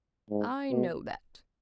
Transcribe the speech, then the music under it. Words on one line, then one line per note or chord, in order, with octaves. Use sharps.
I know that.
G#2
B2